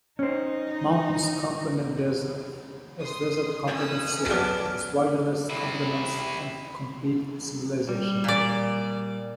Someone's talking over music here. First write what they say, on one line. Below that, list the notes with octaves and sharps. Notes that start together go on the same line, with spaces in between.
Mountains complement desert as desert complements city, as wilderness complements and complete civilization.
C#4 D#4 C5
C6 D#6
C#4 D#6 E6 F#6
F#3 B3 D5 A5 D6 F6
C3 E4
G3
A#2 D5